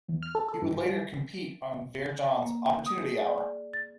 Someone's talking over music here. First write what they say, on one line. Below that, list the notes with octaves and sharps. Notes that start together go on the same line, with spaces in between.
He would later compete on Vere Johns' "Opportunity Hour".
E2
F6
A4
A4
G2
G3
A#3
D#6
G#4
D5
A6